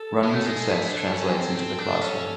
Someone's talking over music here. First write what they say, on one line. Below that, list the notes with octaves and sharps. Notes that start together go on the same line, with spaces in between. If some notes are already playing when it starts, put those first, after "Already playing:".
Running success translates into the classroom.
Already playing: A4
G#3
A3
G#3
A3
D4
C#4
C4
C4
D4
C#4